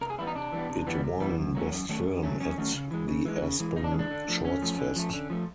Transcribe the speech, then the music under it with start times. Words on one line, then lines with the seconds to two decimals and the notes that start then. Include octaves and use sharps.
It won "Best Film" at the Aspen Shortsfest.
0.01 C3 A#4
0.10 G#4
0.18 E3 G3 B3 E4
0.27 D#4
0.35 C3 D4
0.52 E3 G3 B3
0.70 C3
0.87 E3 G3 B3
1.04 C3
1.20 E3 G3 B3
1.38 F#2
1.55 D#3 F#3 A3 C#4
1.71 F#2
1.89 D#3 F#3 A3 C#4
2.06 F#2
2.23 D#3 F#3 A3 C#4
2.40 F#2 C#4
2.58 D#3 F#3 A3 C#4
2.74 C#3
2.91 E3 G#3
3.08 C#3
3.26 E3 G#3
3.42 C#3
3.60 E3 G#3
3.76 C#3 D#4
3.84 D4
3.92 E3 G#3 C#4
3.99 D4
4.11 D3
4.28 F3 A3
4.44 D3 C#4
4.62 F3 A3
4.79 D3
4.96 F3 A3
5.13 D3
5.30 F3 A3